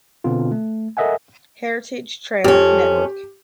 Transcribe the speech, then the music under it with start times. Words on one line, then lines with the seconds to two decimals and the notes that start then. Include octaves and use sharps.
Heritage Trail Network.
0.24 B2 D3 B3 C4 F4
0.52 A3
0.97 A4 A#4 D#5 E5 F#5 G#5
2.44 F2 C#4 G4